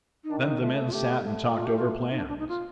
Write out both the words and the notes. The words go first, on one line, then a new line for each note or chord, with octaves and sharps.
Then the men sat and talked over plans.
D#4
D#3 D4
D#4
A3 F4
A4
F4
A3 G4
A3
A3 F4
G4
F4
D#4
D4
D4
D#4
F4